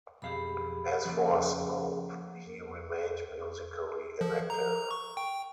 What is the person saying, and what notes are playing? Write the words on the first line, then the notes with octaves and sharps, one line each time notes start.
As for Smooth, he remained musically inactive.
B1 F2 G4 G#4 F5 B5
C#3 F3 A#3 F#5
F3
A#5
C#6
G5